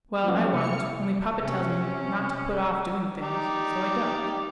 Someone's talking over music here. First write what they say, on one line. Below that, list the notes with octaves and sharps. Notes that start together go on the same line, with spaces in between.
"Well, I won't, only papa tells me not to put off doing things, so I don't."
F3 F#3 A#3 B3 C#4
C3 F6 C#7
C3 C#4
D#4 G4 D5